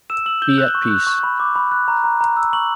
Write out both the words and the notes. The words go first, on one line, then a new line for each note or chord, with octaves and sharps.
Be at peace.
E6 E7
E6 F#7
G6 G7
F#6
C#6
F#6
C#6
B5
D6
B5
F#6
A#5
A#5
A#5
E6
C#6 F#7